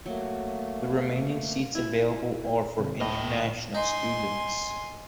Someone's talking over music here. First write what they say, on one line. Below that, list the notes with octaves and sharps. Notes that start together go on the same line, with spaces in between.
The remaining seats available are for international students.
F#3 A3 A#3
E4
G#2 C3 D#3
D2 A2 D3 D#5
D#4 G#5 C6